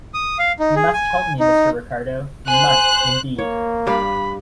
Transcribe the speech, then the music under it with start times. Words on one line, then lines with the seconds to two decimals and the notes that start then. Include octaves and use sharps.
You must help me, Mr. Ricardo — you must, indeed!
0.14 D#6
0.39 F5
0.59 D#4
0.76 G#4
0.93 G#5
1.40 D#4
2.48 C5 G#5 F#6
3.38 A#3 C#5
3.87 G2 D5 F5 B5